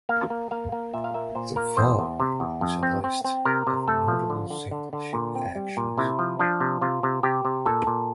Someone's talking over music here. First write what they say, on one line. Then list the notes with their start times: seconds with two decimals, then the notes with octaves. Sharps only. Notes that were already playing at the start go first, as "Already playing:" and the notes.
The following is a list of notable single-ship actions.
0.09 A#3 F5
0.30 A#3
0.51 A#3 F5
0.72 A#3
0.94 A#2 E5
1.04 F5
1.14 A#3 E5
1.35 A#2 C5
1.56 A#3 A#4
1.77 E2 C5
1.99 E2
2.20 C3
2.40 E2
2.61 F2
2.83 C4
3.04 C4
3.24 C4
3.45 C3 A#4
3.67 C3
3.88 A3 A4
4.08 F3
4.30 D3
4.50 D3
4.71 D3
4.93 D3
5.13 A#2
5.35 C4
5.55 G3
5.77 A#2
5.98 C3 E4
6.19 F3
6.39 F3 D4
6.60 C3
6.81 C3 F4
7.03 C3
7.23 C3 G4
7.45 C3
7.66 A#2 A4
7.87 A#2